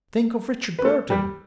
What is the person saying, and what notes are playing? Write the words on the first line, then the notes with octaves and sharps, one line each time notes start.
Think of Richard Burton!
B4
A3 A4
G3 G4